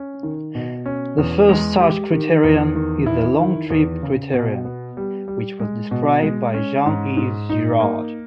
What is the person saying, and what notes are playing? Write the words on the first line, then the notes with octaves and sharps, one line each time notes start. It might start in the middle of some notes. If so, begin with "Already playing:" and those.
The first such criterion is the long-trip criterion which was described by Jean-Yves Girard.
Already playing: C#4
D#3
B2
C#4
E2
G#3
G4
D#3
E2
D#3
E4
D#3
E2
C#3
B2
B3
G3
G3
G#3
B2
G#3
C#4
G#2
G#2
D#4
A#3